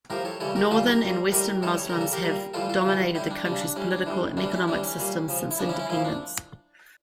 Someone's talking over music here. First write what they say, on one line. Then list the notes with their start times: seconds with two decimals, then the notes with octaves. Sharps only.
Northern and western Muslims have dominated the country's political and economic system since independence.
0.10 A2 F3 G4 A#4
0.25 A4 C#5
0.40 C#3 E3 G3 A4 C#5
0.56 G4 A#4
0.71 C#3 E3 G3 F4 A4
0.86 G4 A#4
1.01 A#2 G3
1.32 A2 G3 G4 A#4
1.62 A2 E3 G3 A4 C#5
1.78 C#5
1.90 C#3 G3 A#4
2.01 A4
2.12 G4 A#4
2.23 A#2 G3
2.54 A2 E3 G3 F4 A4
2.69 F4 A4
2.85 C#3 E3 G3
3.15 A2 G3 E4 G4
3.31 D4
3.45 C#3 G3 D4
3.61 D4
3.76 A2 G3 C#4
3.91 D4
4.06 A2 E3 G3
4.37 A2 E3 G3 D4
4.52 C#4 E4
4.68 A2 E3 G3 D4
4.83 C#4
4.98 A#2 G3
5.28 C#3 F3
5.51 E4
5.59 C#3 F3 D4
5.69 C#4 E4
5.79 C#4 E4
5.89 A#2 F3 C#4 E4
6.05 D4